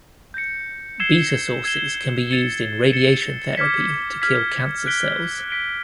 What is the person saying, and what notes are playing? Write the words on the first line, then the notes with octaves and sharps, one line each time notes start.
Beta sources can be used in radiation therapy to kill cancer cells.
G6 A#6 C#7
E6 G#6 C7 E7 G7
E6 G#6 C7 E7 G7
A6 C#7 E7 G7
A6 C#7 E7 G7
D6 F6 G#6 B6
D6 F6 G#6 B6
F#6 B6 D7 G7
F#6 B6 D7 G7